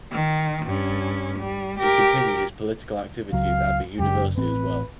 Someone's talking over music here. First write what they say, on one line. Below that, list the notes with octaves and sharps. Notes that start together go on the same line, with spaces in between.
He continued his political activities at the university as well.
D#3
G2 C#4
G3
G4 A#4
C#2 F#3 F5
F#1 F#2 G4
A1 C4 B4